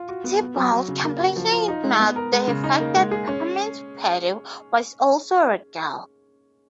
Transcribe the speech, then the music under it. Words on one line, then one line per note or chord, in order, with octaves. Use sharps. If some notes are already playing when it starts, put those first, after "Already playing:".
Thibault completely ignored the fact that Peppermint Patty was also a girl.
Already playing: F4
F#4
B3
B3
F#3
F#3
C#3
A#3
F#4
F3
F4
D#4
G#3
B3
A#4
G#3
C#3
D#4
A#3
G#3
G#4
C#4